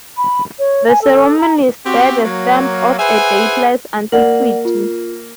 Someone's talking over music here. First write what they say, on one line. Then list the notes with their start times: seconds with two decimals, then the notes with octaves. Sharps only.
The ceremonies bear the stamp of a dateless antiquity.
0.16 B5
0.58 C#5
0.87 G#5
1.01 A4
1.38 A#5
1.86 C4 F#4 G4
2.25 F#3 A#3
2.99 G#4 B4 C5 E5 F#5 G#5
4.12 A#3 D5 F#5 F#7
4.65 F4